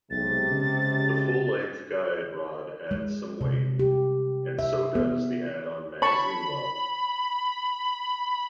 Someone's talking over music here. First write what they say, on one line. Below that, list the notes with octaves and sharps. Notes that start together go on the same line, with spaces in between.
The full-length guide rod adds some weight, and so does the add-on magazine well.
B1 C3 G#3 A6
C#3
G#3
C3
G4
E5
B3
C#5 A5 B5 C#6